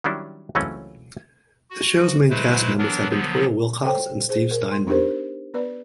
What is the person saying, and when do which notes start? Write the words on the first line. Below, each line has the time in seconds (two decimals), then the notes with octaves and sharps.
The shows main cast members have been Toyah Willcox and Steve Steinman.
0.04 D#3 F#3 G3 C#4 D4 E4
0.55 C#2 E3 F#3 A3 C4 C#4
1.70 F#4
2.30 F#3 G#3 A3 E4 B4 C5
2.78 E3 F#3 B3 D4 A#4
3.09 D3 F3 F#3 B3
3.85 A4 C5 C#5 G5
4.29 G#4 C5
4.51 A#4
4.72 C6
4.87 B3 D4 D#4 G4 A#4 C5
5.54 B3 B4 D5